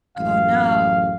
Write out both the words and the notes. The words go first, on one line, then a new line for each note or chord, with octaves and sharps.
Oh, no.
A1 F#2 F5